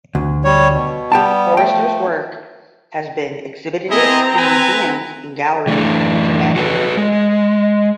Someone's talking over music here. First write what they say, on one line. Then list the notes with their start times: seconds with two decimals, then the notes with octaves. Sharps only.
Foerster’s work has been exhibited in museums and galleries internationally.
0.15 D2
0.44 G3 C#5
0.72 B2
1.12 G3 B3 G4 G5 A5
1.57 F3 A3 G5
3.91 C4 E4 G#4 D#5 A#5
4.37 B4 G#5
5.67 E3 A3 D4
6.56 F#4 A4 B4
6.97 G#3